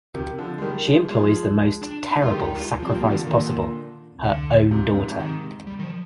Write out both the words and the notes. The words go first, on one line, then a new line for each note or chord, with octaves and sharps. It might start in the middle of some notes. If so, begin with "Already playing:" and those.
She employs the most terrible sacrifice possible: her own daughter.
C3 D#3
D3 F3
G#3
D#3 G3
F3 G#3
F3 G#3
D4
D#4
G#3 F4
D#3 G3 G4
D#4
F4
F3
G3 C4
F3 A#3
G3
D3 D#3 F3
A#2 D3 D#3
D3
G#2 C3
G#2 C3
D#3
G3
D#3
F3